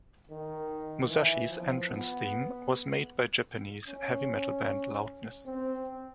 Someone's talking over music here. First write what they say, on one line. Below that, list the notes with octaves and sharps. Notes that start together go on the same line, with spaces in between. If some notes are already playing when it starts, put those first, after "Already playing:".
Musashi's entrance theme was made by Japanese heavy metal band Loudness.
D#3
E3
F3
B3
C#4
C4